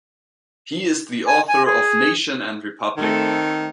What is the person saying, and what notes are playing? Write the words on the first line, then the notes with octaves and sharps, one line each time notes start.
He is the author of "Nation and Republic".
G#5
G#5
G#4
D#3 A3 C4 A4